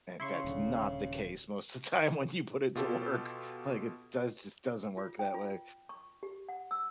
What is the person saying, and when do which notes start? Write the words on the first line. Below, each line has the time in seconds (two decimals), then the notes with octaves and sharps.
And, that's not the case most of the time when you put it to work, like, it does just doesn't work that way.
0.20 C#3 E4 C6 C#6
0.44 D#1 D3
2.75 B2 F4 G4 A4
4.98 F4
5.19 G5
5.34 F4
5.89 C#6
6.23 G4
6.49 F#5
6.71 E6